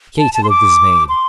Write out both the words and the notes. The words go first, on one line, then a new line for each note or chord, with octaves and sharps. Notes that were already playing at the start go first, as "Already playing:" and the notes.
Katy looked dismayed.
A5
A5
C6
D6
C6